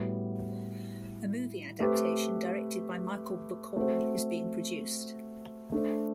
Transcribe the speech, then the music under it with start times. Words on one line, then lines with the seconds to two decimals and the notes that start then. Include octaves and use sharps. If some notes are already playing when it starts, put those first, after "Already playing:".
A movie adaptation directed by Michael Bacall is being produced.
Already playing: A2 G3 B3 F#4
1.80 A3 C4 G4 B4
3.76 A3 C4 F#4 C5
5.72 A3 D4 A4 C5